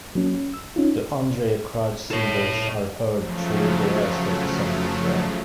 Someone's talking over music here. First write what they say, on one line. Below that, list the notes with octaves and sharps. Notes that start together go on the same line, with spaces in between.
The Andrae Crouch Singers are heard throughout the rest of the song as well.
F#3 A#3 C#4
C#4
E6
C#4 D#4 F4
A4 C#5
C#3 F3 F#3 A3